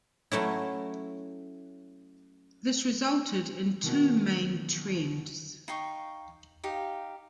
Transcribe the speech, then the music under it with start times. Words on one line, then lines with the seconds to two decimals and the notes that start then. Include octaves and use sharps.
This resulted in two main trends.
0.32 F#3 A3 C#4 E4
3.84 B2 D#3
5.68 D#4 F5 G5 C#6
6.64 D#4 G4 F5